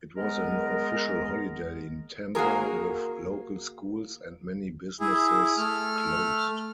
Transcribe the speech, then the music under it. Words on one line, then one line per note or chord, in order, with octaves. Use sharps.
It was an official holiday in Tampa, with local schools and many businesses closed.
G#3 B3 A#4
A#3 F#4 G#4 A#4
E4 G#4
A3 F6